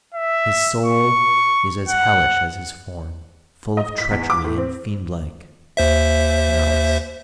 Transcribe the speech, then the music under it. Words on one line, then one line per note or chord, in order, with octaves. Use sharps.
His soul is as hellish as his form, full of treachery and fiend-like malice.
E5
C#6
F#5
D#5
B6
E2
D6
A2
C4
D#2 C5 E5